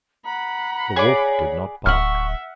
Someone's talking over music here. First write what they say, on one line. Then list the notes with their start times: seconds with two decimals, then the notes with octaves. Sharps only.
The wolf did not bark.
0.25 F#5 A#5 B5
0.96 G#4 C#5 D5
1.86 D1 E5 F#5 C#6 F6